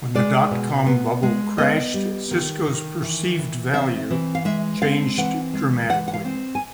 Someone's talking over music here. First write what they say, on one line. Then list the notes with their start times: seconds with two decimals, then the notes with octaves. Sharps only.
When the dot-com bubble crashed, Cisco's perceived value changed dramatically.
0.15 G#3 D5
0.51 B2
0.86 B3
1.23 G#3
1.58 B3 D#5
1.94 G3
2.31 D#3
2.67 D#3
3.02 E3
3.39 E3
3.74 C4 E5
4.10 E3
4.35 F5
4.45 G#3 E5
4.82 C4 F5
5.17 E3 F#5
5.54 G#3
5.89 E3 F#5
6.08 F#5
6.14 F5
6.25 C4
6.55 G#5